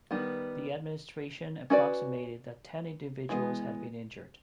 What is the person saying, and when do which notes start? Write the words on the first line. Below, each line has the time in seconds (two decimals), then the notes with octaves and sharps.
The administration approximated that ten individuals had been injured.
0.11 D#3 G3 B3
1.70 C#4 F#4 B4 D5
3.29 E3 G#3 B3